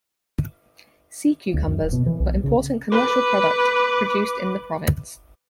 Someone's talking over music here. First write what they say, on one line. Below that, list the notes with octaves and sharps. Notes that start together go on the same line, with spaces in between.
Sea cucumbers were important commercial product produced in the province.
D2
F#2
D#1
B2
E3
B1
C#3
B4 D6